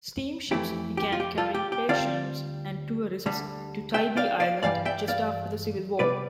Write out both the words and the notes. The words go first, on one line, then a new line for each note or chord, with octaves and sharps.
Steamships began carrying patients and tourists to Tybee Island just after the Civil War.
F2 E3 A3 E4 G4
G4
F4
G4
F4 A4
G4
G4
D2 D3 G3 C4 F4 D5 F5
D2 D3 G3
E5 G5
D5 F5
D5 F5
G2 E3 G3 D5 F5
E5 G5
D5 F5
C3 G3 B3 B4 D5